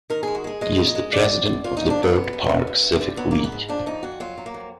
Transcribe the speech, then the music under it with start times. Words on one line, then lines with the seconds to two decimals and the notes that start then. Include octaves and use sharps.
He is the president of the Byrd Park Civic League.
0.10 D#3 A#4
0.23 G#3 G#4
0.35 F#4
0.44 G#3 G#4
0.61 G#3 D#5
0.78 A#2
0.88 D#5
0.95 G#3
1.13 F#2 D5
1.29 F#2
1.47 F#2
1.64 F2 F4
1.77 F3 D#4
1.90 D4
1.98 F2 B3
2.16 F#2
2.33 F#2
2.50 F#2
2.67 D2
2.84 D2
3.01 D3
3.17 F#3 B3
3.31 G#2 A#3
3.44 B3
3.52 G#2
3.69 F3 D4
3.86 F2 D#4
4.03 F2 F#4
4.20 F#3 F4
4.37 F#3
4.46 A#3
4.54 F2